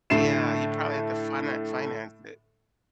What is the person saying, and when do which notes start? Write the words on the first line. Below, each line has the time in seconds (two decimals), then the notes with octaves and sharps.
Yeah, you probably have to finan finance it.
0.10 A2 D3 A3 C7 E7